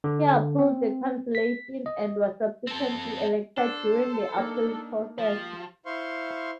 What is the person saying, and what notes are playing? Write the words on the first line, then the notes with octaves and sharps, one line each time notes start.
He appealed the cancellation and was subsequently elected during the appeal process.
D3
C4
B6
D#5
C4 A4
D4 A4 C5
A#3 D4 D#4
F3 G4 F5
E4 C5 F5 C6 C#6